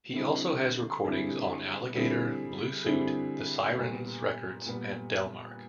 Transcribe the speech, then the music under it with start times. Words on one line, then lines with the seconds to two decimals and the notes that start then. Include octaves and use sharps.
He also has recordings on Alligator, Blue Suit, The Sirens Records, and Delmark.
0.13 D3 G3 C4 E4 G#4
1.04 D3 G3 C4 E4 G#4
1.95 D3 G3 C4 E4 G#4
2.85 D3 G3 C4 E4 G#4
3.75 A#2 G3 B3
4.66 A#2 G3 B3